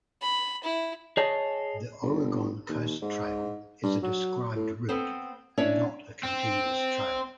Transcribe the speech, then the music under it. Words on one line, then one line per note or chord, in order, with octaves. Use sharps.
The Oregon Coast Trail is a described route and not a continuous trail.
B5
E4
G#4 C#5 D#5 A5
G1
D#2
G#2
G2
F#3
A2
B3 C4 A4 C5
C#4 D4 E4 C#5 D5
C4